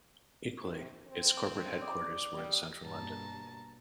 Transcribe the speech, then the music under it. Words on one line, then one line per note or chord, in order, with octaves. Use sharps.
Equally, its corporate headquarters were in central London.
C3
C4
D5 D#6
G3
G2 B2 A#3 A5 A#5